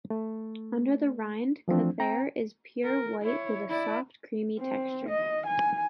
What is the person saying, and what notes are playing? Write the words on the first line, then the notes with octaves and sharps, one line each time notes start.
Under the rind, Cathare is pure white with a soft, creamy texture.
A3
E3 F3 A3 C4 D4
C4 G5 A#5
A#4
E4 C#5
E4 D5
C4
D#5
G#5